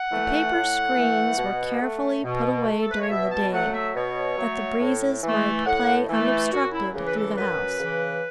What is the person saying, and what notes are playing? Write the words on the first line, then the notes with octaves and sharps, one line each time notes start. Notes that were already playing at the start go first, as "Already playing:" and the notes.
The paper screens were carefully put away during the day, that the breezes might play unobstructed through the house.
Already playing: F#5
E3 A3
A2
E3 A3
B2
A3
B2
A3
A4
B4
C#5
B2 E5
A5
F#3 A3 F#5
E5
B2 C#5
F#3 A3
A2
E3 A3
A2 F#5
E3 A3
F#2 F#4
E4
C#3 E3
B4
A4
F#2 B4
C#3 E3